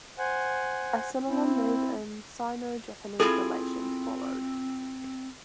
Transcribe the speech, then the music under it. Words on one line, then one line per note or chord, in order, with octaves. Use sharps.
A similar move in Sino-Japanese relations followed.
C5 F#5 G#5
C4 E4
C4 E4 F4 G#4 A4